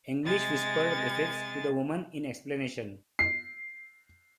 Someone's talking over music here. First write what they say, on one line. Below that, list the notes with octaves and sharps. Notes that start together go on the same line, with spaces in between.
"English," whispered Griffiths to the woman, in explanation.
C3 G#3 A6
C7